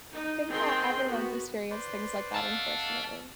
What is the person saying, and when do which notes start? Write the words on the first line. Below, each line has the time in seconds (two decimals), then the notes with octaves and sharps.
I think that everyone's experienced things like that, unfortunately.
0.13 D#4
0.51 D#3 C4 G#4 G5 C6
1.06 B3 F#4
1.71 B4 C5 D5
2.35 A4 D#5 F5 F#5 A5